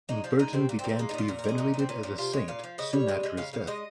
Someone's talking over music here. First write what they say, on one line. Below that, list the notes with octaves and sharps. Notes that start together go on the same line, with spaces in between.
Bertin began to be venerated as a saint soon after his death.
G#3 D#4
F3 F4
G#3 D#4
C3 C4
A#2 A#3
C4
A#2
C4
G#3 A#3
D#4
A#2 F4
A#2 A#4
A#4
G#3 G#4
A#2 D#4
A#2 C4
A#2 C#4
A#2
C3 F4
G#3 C#5
A#2 F5
F3
C#3 D#5
G3 C#5
G#3
G#3
C#3 F5
C#3 F5
G#3 D#5